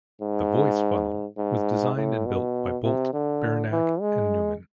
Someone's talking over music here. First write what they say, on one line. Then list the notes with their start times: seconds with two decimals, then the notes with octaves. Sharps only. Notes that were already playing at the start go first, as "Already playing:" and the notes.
The Voice Funnel was designed and built by Bolt, Beranek and Newman.
0.21 G#2
1.38 G#2
1.96 A2
2.26 B2
2.84 C3
3.13 D3
3.72 E3
4.00 G#3